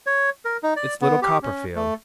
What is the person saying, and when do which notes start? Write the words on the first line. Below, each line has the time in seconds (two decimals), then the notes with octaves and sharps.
'It's little Copperfield!'
0.07 C#5
0.45 A#4
0.63 D#4
0.76 D5
1.01 B3
1.22 G4
1.43 C#4
1.75 A3